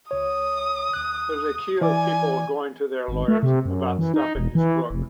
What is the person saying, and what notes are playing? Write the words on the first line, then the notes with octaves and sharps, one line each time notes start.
There's a queue of people going to their lawyers about stuff in his book.
C#2 C#5 D#6
D#2 F#6
E3 D5 G#5 D6
G#1
A3
C3
F#2
E3
D#4
E1
E3
F1